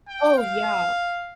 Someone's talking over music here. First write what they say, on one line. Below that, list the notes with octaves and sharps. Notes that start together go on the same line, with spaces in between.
Oh yeah.
G5
F5